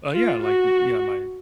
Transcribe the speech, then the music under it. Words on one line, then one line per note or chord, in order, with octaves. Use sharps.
Uh, yeah, like, yeah, my,
F4
F#4